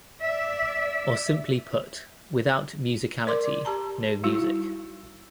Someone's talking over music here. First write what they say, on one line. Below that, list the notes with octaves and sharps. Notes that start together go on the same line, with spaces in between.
Or simply put: without musicality no music.
D5 E5
A#4 D5 C6 D6
G4 A5 A#5
G3 D#4 E4 F#4